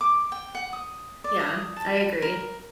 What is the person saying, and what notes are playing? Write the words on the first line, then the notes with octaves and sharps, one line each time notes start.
Yeah, I agree,
D6
G5
F#5
D#6
D5
D#6
A5
A#4